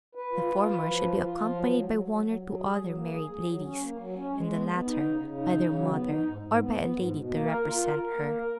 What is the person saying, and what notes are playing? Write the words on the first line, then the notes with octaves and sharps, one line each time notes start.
The former should be accompanied by one or two other married ladies, and the latter by their mother, or by a lady to represent her.
B4
F4
F4
B4
F3
F4
F4
F3
F#3
F#3
F#3
F#3
F#3
F#3
G#4
F#3
A#3
G#4
G#4
F#3
C#4
A#3
F#3
C#4
G#3
B3
B3
D#4
C#3
C#3
D#4
C#3
F#3
B3
D#4
G#2
G#2
B3
B3
G#2
B2
A#3
A#4
F4
A#4
A#4
A#3
A#4